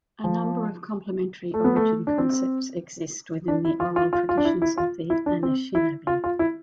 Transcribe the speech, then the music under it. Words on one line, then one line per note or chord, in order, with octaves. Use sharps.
A number of complementary origin concepts exist within the oral traditions of the Anishinaabe.
F3
A3
B3
A3
D4
C4
D4
E4
F4
F4
F4
F4
D4
E4
E4
F4
E4
D4
C4
E4
F4
F4
E4